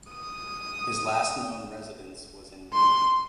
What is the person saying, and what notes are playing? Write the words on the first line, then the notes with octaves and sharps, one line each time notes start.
His last known residence was in Munich.
D#6
C6